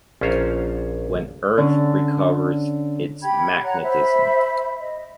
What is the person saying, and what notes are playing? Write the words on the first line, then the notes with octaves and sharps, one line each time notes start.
When Earth recovers its magnetism.
A#1 C#4 F4 C5 C#5 A#5
D3 C#4
G4 G5 B5 G#6
C#5 F#5 A#5 F#6
C5 E5 B5
D#5